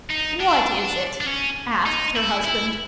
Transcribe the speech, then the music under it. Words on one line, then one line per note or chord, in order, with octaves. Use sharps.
"What is it?" asked her husband.
D#4
D4
D4
C#4
D#4
E4
E4